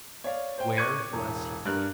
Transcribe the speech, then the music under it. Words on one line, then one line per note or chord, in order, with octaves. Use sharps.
Where was he?
C#5 D5 F5
C5 G5
C#6 D6 F#6 G#6 C#7 D#7
E1
G2 A#4 F#6